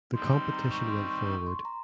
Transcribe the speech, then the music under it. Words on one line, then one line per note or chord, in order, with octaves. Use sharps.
The competition went forward.
D#3 G3 C4 D#4 C6
C6
A#5
C#6
C6
C#6
C#6
C6
A#5